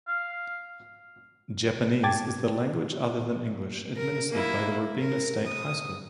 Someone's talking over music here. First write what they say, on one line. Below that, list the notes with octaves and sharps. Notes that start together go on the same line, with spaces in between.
Japanese is the Language Other Than English administered at Robina State High School.
F5
G5 A5 D6 G#6 A6
A#4
A#3 E4
A#4
D#6